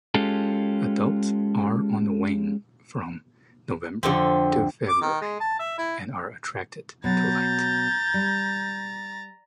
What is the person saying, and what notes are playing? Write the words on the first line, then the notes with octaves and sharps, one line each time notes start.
Adults are on the wing from November to February and are attracted to light.
G#3 C#4 F4 G4 A4
F2 D3 C4
D6
D#3
G#3
A5
E5
E4
B2 F#3 A#5 G6 A6
G3